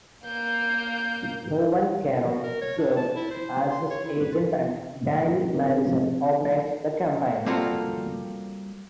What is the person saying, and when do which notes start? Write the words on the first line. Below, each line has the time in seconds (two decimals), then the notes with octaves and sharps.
Owen Carron served as his agent and Danny Morrison organised the campaign.
0.25 A#3 G6
2.30 F#4
2.43 A#4
2.61 C#5
2.78 D4
2.97 A5
3.15 E4
3.31 C5
3.72 C6
3.91 C#5
4.05 E4
4.20 B4
4.32 F4
5.53 C4 D#4 A#4 B4
7.46 G3 A#3 C4 F4 F#4 A4